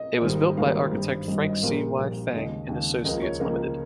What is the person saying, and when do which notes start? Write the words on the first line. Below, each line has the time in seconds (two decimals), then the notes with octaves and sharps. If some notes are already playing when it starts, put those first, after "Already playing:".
It was built by architect Frank C Y Feng and Associates Limited.
Already playing: D#5
0.21 G#1 G#2 D#3 G3 A#3
0.57 G#1 G#2 D#3 G3 A#3 F5
0.92 G#1 G2 G3
1.28 G#1 G2 G3 D#5
1.45 D#5
1.63 A#1 A#2 G3 A#3 F5
1.99 A#1 A#2 G3 A#3
2.34 D#2 C#3 G#3 D#5
2.69 D#2 C#3 G#3
3.05 C#2 C#3 F3 A#3 D#5
3.22 C#5
3.40 C#2 C#3 F3 A#3 D#5